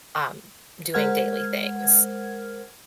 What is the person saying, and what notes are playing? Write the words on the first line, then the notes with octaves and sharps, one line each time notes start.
um, doing daily things.
G#3 A#4 C5 F#5 F6 G#6